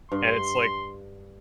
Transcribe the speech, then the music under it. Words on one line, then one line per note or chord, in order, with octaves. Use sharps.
And it's like,
G2 C6